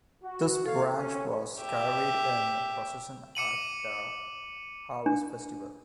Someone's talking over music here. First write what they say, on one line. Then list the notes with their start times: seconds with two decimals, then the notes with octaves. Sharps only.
This branch was carried in procession at a harvest festival.
0.24 F#4
0.66 A#3 A4 C#5 F5
0.97 C#4
1.63 G4 E5
3.35 D6 C#7 D#7 F#7
5.06 D4